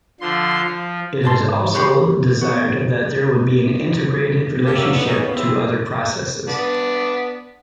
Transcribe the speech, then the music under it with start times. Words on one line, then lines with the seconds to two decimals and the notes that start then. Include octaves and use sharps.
It is also desired that there would be an integrated relationship to other processes.
0.20 D3 F3 C6
0.65 F3
1.23 G#2 A5 C6
1.74 F#4 G4 B5 C6
2.41 B3 F#4
4.64 A3 A#3 G4
4.78 G2 F#3 A#3 C#4 E5
4.92 D3 B3
5.05 E3 B3 C#4 D#4
5.20 D#2 A#2 C#3 B3 C#4
5.36 E3 C4 E4 G#4
6.48 B3 D4